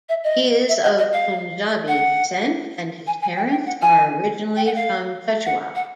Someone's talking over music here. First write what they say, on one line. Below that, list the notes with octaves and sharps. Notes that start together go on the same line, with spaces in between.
He is of Punjabi descent and his parents are originally from Peshawar.
E5
D#5
E5
D#5
D#5
F5
F#5
G#5
G#5
G5
G5
F#5
G#5
G5
F#5
F5
F#5
F#5